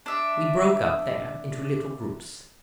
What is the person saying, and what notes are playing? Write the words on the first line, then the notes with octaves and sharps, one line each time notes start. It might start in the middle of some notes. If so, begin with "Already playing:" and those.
We broke up there into little groups.
D4 E5